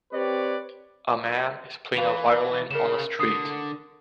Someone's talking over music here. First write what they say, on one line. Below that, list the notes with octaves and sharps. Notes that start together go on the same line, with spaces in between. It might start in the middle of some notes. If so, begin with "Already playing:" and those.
A man is playing a violin on a street.
C4 G4 B4 C#5 D5
E3 B4 F5 F7
C#3 A#4 E7
D3 D#6 C7